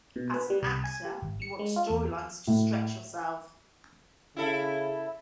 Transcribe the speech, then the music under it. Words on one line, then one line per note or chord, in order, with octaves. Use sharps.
As an actor you want storylines to stretch yourself.
B2
B4
G3
C2
G#5
G4
G#1
C#7
G#3
F4
E2
A2
C#3 E4 A4